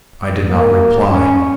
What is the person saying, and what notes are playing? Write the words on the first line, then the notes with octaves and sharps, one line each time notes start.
I did not reply.
A#3
C#4